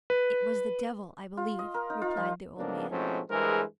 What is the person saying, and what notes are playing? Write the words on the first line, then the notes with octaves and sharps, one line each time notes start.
"It was the devil, I believe!" replied the old man.
B4
F4
D#5
A#4
D#4
F4
F3
F2 G#2 C#3 A#3 B3 D4
G#2 B2 F3 A3 C4 C#4
G2 E3 G#3 G#4 A#4 C5